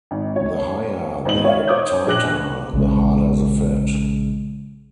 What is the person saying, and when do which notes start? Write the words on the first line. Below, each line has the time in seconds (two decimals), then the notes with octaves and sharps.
The higher the titer, the harder the fat.
0.11 G#1
0.36 C#5
1.25 G#1 C5 D#5 F#7
1.44 C#5 D5 E5 F5
1.67 C5 C#5 D6 D#6 G6
2.06 A#1 G#4 D6 F#6 A#6 F#7
2.73 A#1 C#3 G#3